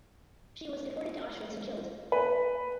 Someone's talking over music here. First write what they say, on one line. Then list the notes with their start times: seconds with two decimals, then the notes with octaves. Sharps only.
She was deported to Auschwitz and killed.
2.12 B4